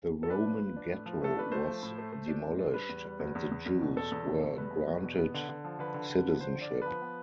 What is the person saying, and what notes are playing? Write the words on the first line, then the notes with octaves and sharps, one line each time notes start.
The Roman Ghetto was demolished and the Jews were granted citizenship.
A4
D4 B4
F3
F3
D4
A2
F3
A3 A4
D4 B4
A3 C5
F3
A2
A3
A3
D4
A2
D4
G3 B4
E2
G3
E2
E2
E2
E2
B2
E2 A4
E2
B2
E2
G3 B4
B2
E2
B2
B3
D3
D3
F3
D3 B4
D3
D3
F3
D3 C5
D3
D5
B3
F3 B4
B3